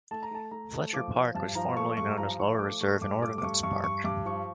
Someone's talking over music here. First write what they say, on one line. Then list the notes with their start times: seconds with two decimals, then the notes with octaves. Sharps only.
Fletcher Park was formally known as Lower Reserve and Ordinance Park.
0.11 A3 A5
0.23 A#5
0.31 A3 A5
0.51 A3 A#5
0.73 A3
0.93 F3 D6
1.14 F3
1.35 G2 A5
1.55 F3 A#5
1.77 A3 C#6
1.97 G2 C#6
2.17 F3 A#5
2.39 F3 C#6
2.59 A3 D6
2.81 A3 C#6
3.01 G2 D6
3.21 A3 D6
3.38 D6
3.43 G2 C#6
3.63 G2 C#6
3.84 G2 C#6
4.04 G2 D6
4.25 F3 C#6